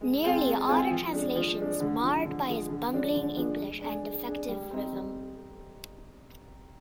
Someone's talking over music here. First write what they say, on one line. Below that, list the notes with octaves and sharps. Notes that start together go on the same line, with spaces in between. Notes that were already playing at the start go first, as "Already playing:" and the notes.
Nearly all the translations marred by his bungling English and defective rhythm.
G#3
C4 F4 G#4
G#3
C4 F4 G#4
F3
G#3 D4
F3
G#3 D4
D3
F3 G#3
D3
F3 G#3
D3
F3 G#3 D4
D3
F3 G#3 D4
G#3
D4 G#4
G#3
D4 G#4
G3
C4 D#4
G3